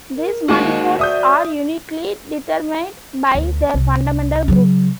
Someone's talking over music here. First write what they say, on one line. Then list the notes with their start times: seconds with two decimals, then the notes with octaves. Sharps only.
These manifolds are uniquely determined by their fundamental groups.
0.15 A#4
0.48 D#2 D#3 G#3 F4 F#4 C5 F#5
0.64 D#4
0.99 D5 E5 D#6 G6
3.35 D2
3.74 C2
4.48 C#3 F#3